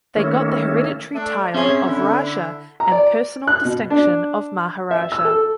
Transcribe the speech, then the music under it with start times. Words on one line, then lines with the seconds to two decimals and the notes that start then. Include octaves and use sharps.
They got the hereditary tile of Raja and Personal distinction of Maharaja.
0.16 D#3 A3 A#3 C#4 E4
1.14 A3 D4
1.54 C4 C#4 G#4 C#5 E5 G#5
1.86 D3 E4
2.80 A#5
2.92 D5
3.47 F#6
3.65 B2
3.90 D4
4.91 E5
5.12 E6
5.25 A4